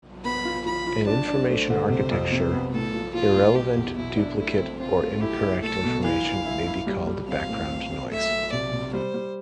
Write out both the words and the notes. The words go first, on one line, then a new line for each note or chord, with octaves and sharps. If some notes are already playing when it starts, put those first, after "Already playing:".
In information architecture, irrelevant, duplicate or incorrect information may be called background noise.
B3 B5
F4
F3 B5
F4
D4 A5
D4
A3 C5
D3
C3 C5
F2
C3
B3
A2 A4
F3
F3 F4
A2
B2 G4
E2
B2 E4
D4
A3 E4
C4
C4 F4
A3
E4 G4
E4
A3 A4
B2
E3 F5
E3
E4
E4
G3
G3
C4 F5
A2
C4
C4
A3 E5
A3
C3 D5
C3
G3 C5
G3